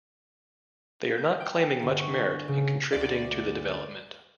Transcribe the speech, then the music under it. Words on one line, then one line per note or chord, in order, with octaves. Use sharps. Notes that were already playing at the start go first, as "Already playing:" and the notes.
We are not claiming much merit in contributing to the development.
G6
G5
G1
C#6
C#3
D2 D5